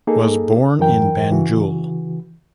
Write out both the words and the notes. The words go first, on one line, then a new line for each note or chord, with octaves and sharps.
Was born in Banjul.
A#3 D#4 G#4 A4
F#2 E3 A#4 G5
C#3 E3 F#4